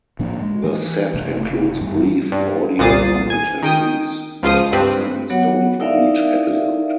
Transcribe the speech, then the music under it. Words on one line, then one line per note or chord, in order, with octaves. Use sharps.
The set includes brief audio commentaries by Parker and Stone for each episode.
A2 F3 A#3 D4
G#3
E3
F#1 C3 A3
G2 E3
G2
G1 C2 A#2 D#6 A6 C7
G#5
D#3 G5 D#6
C#2 F3 F4 D#6
G2 C4 B4
F#3 B3 F#4 C#5 F#5
D#4 E4 A#4 D5 E5 F5